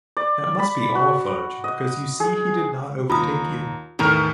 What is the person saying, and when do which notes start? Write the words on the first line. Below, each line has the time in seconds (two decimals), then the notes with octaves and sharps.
That must be all a fudge, because you see he did not overtake you.
0.17 D5
0.59 B5
0.95 F#4
1.64 D#5
2.20 G#4
3.10 D#2 F4 A#5 D#6
3.99 E2 A2 D#3 A#4 A#5